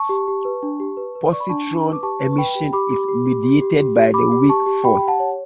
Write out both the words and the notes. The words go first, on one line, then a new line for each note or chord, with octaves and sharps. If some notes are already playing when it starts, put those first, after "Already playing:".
Positron emission is mediated by the weak force.
Already playing: A5 C#6
G4
G4
B4
D4
G4
B4
B4
D5 C#6
B5
D4 A5 C#6
D4
B4
D6
G4 A5 C#6
B4
C#6
B4 G5 B5
G4
G4 B5 D6
G4
G4
G4
G4
G4
G4
G4
G4 B5 D6
G4
G4 A5 C#6
G4
G4 G5 B5
G4
F#5 A5
C#5